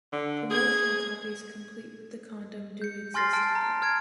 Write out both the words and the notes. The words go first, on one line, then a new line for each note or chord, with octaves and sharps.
Promotional copies complete with the condom do exist however.
D3
G#4 G#6
G6 C#7
G#5 C6 F6 A6 A#6 C7
A5 F6 D7
A#5
F6 G#6 D7